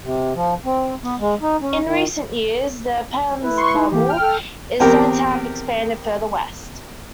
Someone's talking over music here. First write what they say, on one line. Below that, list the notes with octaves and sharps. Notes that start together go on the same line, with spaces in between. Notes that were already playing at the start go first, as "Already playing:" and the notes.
In recent years, the "Penn bubble" is said to have expanded further west.
C3
F3
C4
B3
G#3
D#4
C#4
D#3
E4 B4
C6 C#6
D#4
E3 A#3 G4
G5 F6
A4
E2 C4 G4 A#4